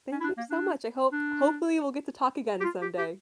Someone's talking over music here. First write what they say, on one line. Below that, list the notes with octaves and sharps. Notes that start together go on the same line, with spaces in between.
Thank you so much. I hope hopefully, we'll get to talk again someday.
C#4
E4
D4
A#3
D4
D4
G4
F4
G4
G4